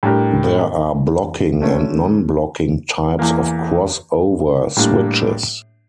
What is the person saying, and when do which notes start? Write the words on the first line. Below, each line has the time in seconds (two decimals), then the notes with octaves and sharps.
There are blocking and non-blocking types of cross-over switches.
0.03 A2 G3 D4 G4 A#4
1.61 D3 A3 C#4
3.19 E2 E3 A#3
4.77 A2 G3 A#3 D4